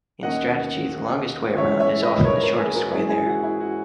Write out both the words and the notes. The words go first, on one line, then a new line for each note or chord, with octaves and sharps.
In Strategy the longest way around is often the shortest way there.
D#2 D#3 A#3 C#4 D#5 F#5
G#2 E3 G#3 C#4 C#5 E5
C#5 E5
B4 D#5
A#4 C#5
A#4 C#5
G#4 B4
F#4 A#4
G#2 E3 A#3 C#4 E4 G#4
E4 G#4
F#4
E4
F#4